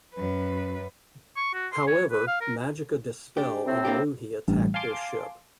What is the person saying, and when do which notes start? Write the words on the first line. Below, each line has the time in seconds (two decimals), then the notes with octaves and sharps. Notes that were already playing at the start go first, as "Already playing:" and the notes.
However, Magica De Spell and Louhi attack their ship.
0.14 F#2 B4
1.37 C#6
1.54 F#4
1.73 C6
1.87 C#5
2.11 B4
2.27 F5
2.41 A#4
3.37 D4 G4
3.66 A2 C3 C4
3.85 A#3 D4 G4
4.48 A1 G2
4.74 F5 G#5 A5 C6 D6